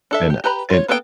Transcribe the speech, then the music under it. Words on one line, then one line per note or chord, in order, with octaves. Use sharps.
And and
D4 A4 E5
G4
G4 B4 A#5 B5
F4 C#5
A#3 B3 A4 B4 G5